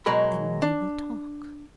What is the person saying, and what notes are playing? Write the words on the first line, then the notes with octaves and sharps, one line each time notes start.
Then we will talk.
B2 F#3 G#3 A#4 B5
D4